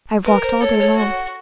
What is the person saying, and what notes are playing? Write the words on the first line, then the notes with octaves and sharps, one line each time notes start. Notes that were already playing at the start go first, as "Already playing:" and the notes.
I have walked all day long.
A#4 B4
C5
A4 C#5
C#5
F#4